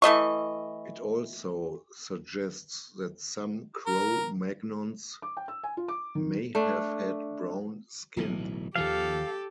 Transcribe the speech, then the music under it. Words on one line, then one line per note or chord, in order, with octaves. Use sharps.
It also suggests that some Cro-Magnons may have had brown skin.
E3 A3 D#5 C#6
A#4
D6
G5
E6
G#5
F4
D6
D#3
A3 D4
D1 B1 E3
D#2 D#3 F3 G4 A4 F5